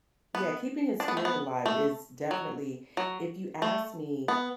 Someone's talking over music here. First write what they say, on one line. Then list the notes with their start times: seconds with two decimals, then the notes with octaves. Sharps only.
Yeah, keeping his spirit alive is definitely If you ask me,
0.35 B3
1.00 D4
1.08 B3
1.17 A3
1.25 B3
1.66 A3
2.31 F#3
2.97 F#3
3.62 A3
4.28 B3